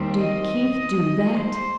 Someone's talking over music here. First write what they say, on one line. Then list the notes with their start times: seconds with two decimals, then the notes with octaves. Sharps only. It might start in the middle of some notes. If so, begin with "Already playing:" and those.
"Did Keith--do that?"
Already playing: D#2 D#3 G3 C4
0.19 D#5
1.34 C5